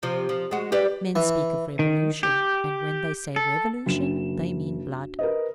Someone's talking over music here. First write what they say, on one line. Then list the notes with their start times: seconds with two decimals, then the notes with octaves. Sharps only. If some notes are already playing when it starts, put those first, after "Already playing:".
Men speak of revolution; and when they say revolution they mean blood.
0.03 C3 F3
0.29 F3
0.51 G#3 F#4
0.72 G4 B4 D5
1.15 E3
1.79 D#3
2.23 G4
3.36 A4
3.86 F#1 D4 F#4 E7
5.19 A#4 B4 D#5